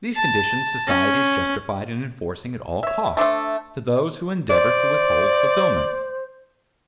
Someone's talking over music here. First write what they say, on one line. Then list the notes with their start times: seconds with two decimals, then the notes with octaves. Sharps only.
These conditions society is justified in enforcing, at all costs to those who endeavour to withhold fulfilment.
0.17 A5
0.88 C#4
2.83 C#5 E5
3.17 A3 D4 C5 E5
4.50 C5 D5